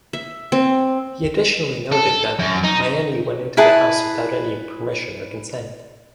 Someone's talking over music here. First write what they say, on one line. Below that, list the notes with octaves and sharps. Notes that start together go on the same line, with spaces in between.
He additionally noted that Myeni went in the house without any permission or consent.
E5
C4
A4
F#2
D#4
E4 G#4 B4 A5